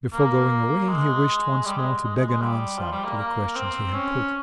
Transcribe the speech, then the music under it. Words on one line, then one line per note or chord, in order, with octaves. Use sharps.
Before going away he wished once more to beg an answer to the questions he had put.
A#3
G#3
G3
G#3
G#3
G#3
G#3
G3
F3
G3
A#3
A#3
C4
C#4